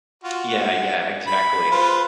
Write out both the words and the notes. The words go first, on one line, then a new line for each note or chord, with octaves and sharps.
Yeah, yeah, exactly.
F4 F#4
F#4
B5
F4 B4 C5